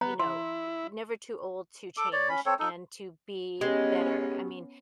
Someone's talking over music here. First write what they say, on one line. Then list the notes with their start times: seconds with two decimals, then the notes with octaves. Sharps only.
you know, y never too old to change, and to be better, I mean,
0.01 B3 A#5
0.19 E4 C6
1.97 A4 D6
2.13 C#5 D5
2.29 C#4 B5
2.46 C4 A4 C#5
2.59 D#4 A4
3.61 G#3 B3 C#4 G4